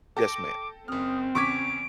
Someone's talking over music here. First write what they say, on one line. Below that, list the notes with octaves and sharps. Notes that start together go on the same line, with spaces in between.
Yes, ma'am.
A4 G5 D6 A#6
F#1 C4 D#6 F6
E2 C#3 C#6 D6 G#6 B6 D7